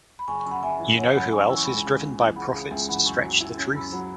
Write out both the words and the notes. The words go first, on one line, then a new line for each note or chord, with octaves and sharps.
You know who else is driven by profits to stretch the truth?
B5
F#1 G#5 C#6
G#5 C#6
F#2
F#5 B5
F#1 E5 G#5
E3
F#1 C#5 F#5
F#2 F#5 B5
F#1 G#5 C#6
E3 E6
C#6
C#2 B5
G#5 C#6
C#3
C#2
E3
C#2 F#5 B5
C#3
C#2 E5 G#5
E3 F#5 B5
F#2 G#5 C#6
F#3
E4
C#4
F#2 B5 E6
F#3 F#5 B5